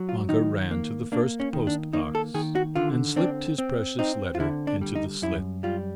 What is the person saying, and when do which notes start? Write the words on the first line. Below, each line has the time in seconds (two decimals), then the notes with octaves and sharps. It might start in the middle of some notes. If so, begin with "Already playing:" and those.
Vanka ran to the first post-box and slipped his precious letter into the slit.
Already playing: F#3
0.09 F4
0.29 D#3 D#4
0.71 A#3
1.12 A#3 D4
1.40 C#4
1.53 D#3
1.67 D4
1.93 A#3 D#4
2.15 A4
2.34 D#3 G#4
2.55 F#4
2.75 D3 F4
3.16 C4 D4
3.58 C4
3.99 C4 D#4
4.35 F4
4.40 D3 E4
4.67 D4
4.81 G3
4.95 D#4
5.22 F#2 E4
5.63 G3 F4